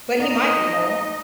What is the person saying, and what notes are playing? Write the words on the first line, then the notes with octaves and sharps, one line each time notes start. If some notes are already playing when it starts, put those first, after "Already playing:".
But he might, you know.
D#4 D#5